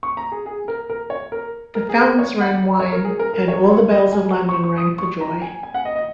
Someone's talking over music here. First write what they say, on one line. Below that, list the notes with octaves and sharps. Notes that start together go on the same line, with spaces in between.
The fountains ran wine and all the bells of London rang for joy.
C#6
A#5
G#4
G#4
A#4
A#4
C#5
A#4
A#4
G#4
A#4
C#5
F#5
C#5
A#4
G#4
A#4
A#4
C#5
C#5
D#5
G#5
C#6
C#6
D#6
C#6
A#5
G#5
G#5
F#5
D#5
D#5